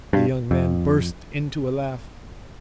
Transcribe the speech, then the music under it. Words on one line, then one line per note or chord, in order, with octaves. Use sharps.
The young man burst into a laugh.
G2
F2